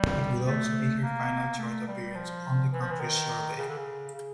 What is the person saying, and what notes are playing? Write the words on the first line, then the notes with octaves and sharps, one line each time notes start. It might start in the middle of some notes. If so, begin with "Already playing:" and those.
It would also be her final chart appearance on the country survey.
Already playing: G3
A3
A#3
A3
G3
F3
E3
F3
E3
D#3
C#3
D3
C#3
C#3